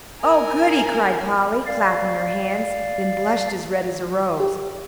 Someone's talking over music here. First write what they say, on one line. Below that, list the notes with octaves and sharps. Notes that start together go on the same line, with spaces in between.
"Oh, goody!" cried Polly, clapping her hands; then blushed as red as a rose.
A#4 G#5
D5 F5
G4